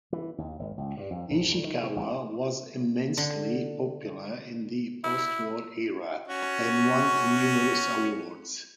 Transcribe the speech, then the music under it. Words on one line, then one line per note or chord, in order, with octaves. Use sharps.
Ishikawa was immensely popular in the post-war era, and won numerous awards.
E3
D#2
G#1
C#2
G2
F2
A#1
D2
D#3
C3
A1
D3
E4
C#4 F#4